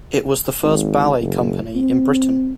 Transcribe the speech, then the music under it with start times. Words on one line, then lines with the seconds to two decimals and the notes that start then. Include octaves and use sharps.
It was the first ballet company in Britain.
0.63 G#1
1.20 F#1
1.76 C4